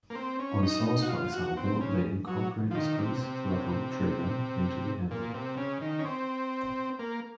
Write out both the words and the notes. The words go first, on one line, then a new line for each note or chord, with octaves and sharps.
On saws for example, they incorporate a squeeze throttle trigger into the handle.
A#3
C4
C#4
D#4
D#4
F#4
F4
F#4
C4
C#3
F#3
F3
D#3
C3
C3
A#2
C3
C#3
D#3
C#4
C4
A#3